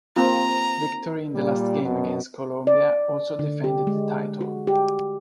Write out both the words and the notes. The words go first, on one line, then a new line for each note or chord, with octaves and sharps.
Victory in the last game against Colombia also defended the title.
A#3 C4 F4 A#5
A#2 G3
F#2 B2
D5
D3
G4
G#3
F#4
G4